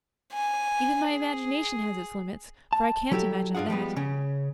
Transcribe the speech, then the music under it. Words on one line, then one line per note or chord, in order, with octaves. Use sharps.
Even my imagination has its limits, for I can't imagine THAT.
G#5
G#4
A5
F#3 E4 G4 A4
G2 D4 F4 G#4 F#5
F3 G3 G#3 B3
C#3 C#4